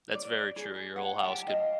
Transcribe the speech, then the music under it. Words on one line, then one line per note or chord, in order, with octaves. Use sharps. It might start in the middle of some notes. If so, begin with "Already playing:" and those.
That's very true, your whole house could
D5
G#4
F#5
G4 A5
D#5 F5